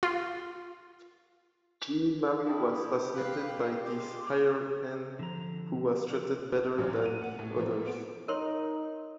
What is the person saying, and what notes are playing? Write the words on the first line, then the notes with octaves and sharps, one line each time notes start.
Jeanne-Marie was fascinated by this hired hand who was treated better than the others.
F4
G3 E4 G4 D#5 A5
B4 F5
G#3 F4 C6 D6
D3 F3 A#5
A1 A#2 F#3 C#4 D5 F6
D#7 F7
F#5
A2
E3 F3 A#3 C4
B3 C5 D7
D#4 A#4 C#5 C6